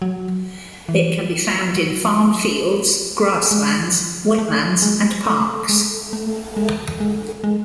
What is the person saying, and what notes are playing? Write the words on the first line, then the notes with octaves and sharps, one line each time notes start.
It can be found in farm fields, grasslands, wetlands, and parks.
F#3
E3
F#3
G#3
A3
G#3
A3
G#3
A3
G#3
G#3
G#3